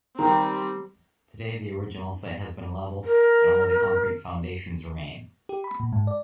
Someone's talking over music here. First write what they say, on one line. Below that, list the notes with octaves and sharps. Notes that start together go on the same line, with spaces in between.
Today the original site has been leveled, and only the concrete foundations remain.
D#3 G3 C4 G5 A#5
A#4
G4
B5
A#2
G#2
D5